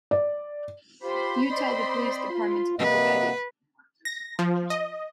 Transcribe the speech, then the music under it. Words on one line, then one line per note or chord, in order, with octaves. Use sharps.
You tell the police department to pick up Eddie.
D5
F4 G4 C5 B5 C6
C4 D5 D#5
F4
C3 A#3 B4 D#5 F#5
A#6
F3
D#5